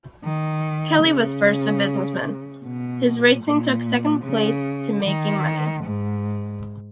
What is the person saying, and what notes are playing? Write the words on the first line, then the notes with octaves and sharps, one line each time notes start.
Kelly was first a businessman; his racing took second place to making money.
D#3
C#3
B2
A#2
C#3
D#3
G#2